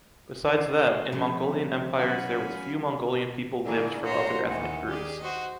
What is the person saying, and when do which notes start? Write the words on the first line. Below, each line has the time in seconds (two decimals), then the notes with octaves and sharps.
Besides that, in Mongolian empires there was few Mongolian people lived from other ethnic groups.
0.57 G#4
0.79 A3 G#4 A#4 D#5
1.12 C#3 F3 G3 C4
1.99 E3 F#3 C#4 F#4 F5 G#5 B5
3.65 D3 E3 A#3 D4 G#4 A#4
4.04 F4 C5 C#5 F#5 A#5 C6
4.43 D#2 D#3 E3 F#5
4.87 G4 G#4 D5
5.19 F#4 C5 D#5